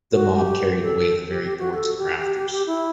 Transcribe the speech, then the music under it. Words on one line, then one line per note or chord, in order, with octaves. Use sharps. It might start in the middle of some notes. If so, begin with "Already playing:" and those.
The mob carried away the very boards and rafters.
F#4
G4
A4
G4
G4
F#4
A4
G4
G4
G4
G4
E4